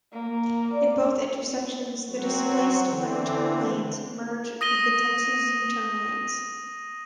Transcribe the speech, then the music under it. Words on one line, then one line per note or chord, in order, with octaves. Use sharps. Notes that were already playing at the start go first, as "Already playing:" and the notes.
In both intersections, the displaced left turn lanes merge with the Texas U-turn lanes.
A#3
D5
F#3 C4 F#4
D3 E3 C4
D#6 A#6 D#7 G7